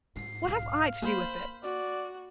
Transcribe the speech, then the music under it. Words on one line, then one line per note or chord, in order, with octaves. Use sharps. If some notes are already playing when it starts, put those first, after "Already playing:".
What have I to do with it?
G#2 C7
B1 G#2 F5
A#3 C5 B5
F#4 D5